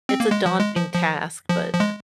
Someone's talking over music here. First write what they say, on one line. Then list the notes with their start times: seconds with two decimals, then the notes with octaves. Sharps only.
it's a daunting task, but
0.09 C4
0.20 A#3
0.31 G#3
0.46 F3
0.60 G#3
0.76 F3
0.94 F3
1.50 F3
1.74 F3
1.80 G#3